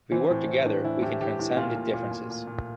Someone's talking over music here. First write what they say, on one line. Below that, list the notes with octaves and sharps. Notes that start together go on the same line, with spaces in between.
If we work together we can transcend differences.
E3 C4
A2 C4
E3 C4
A2 D4
E3 E4
A2 G4
E3 G4
A2
A#2 F4
A#2
A#2
A#2
A#2
A#2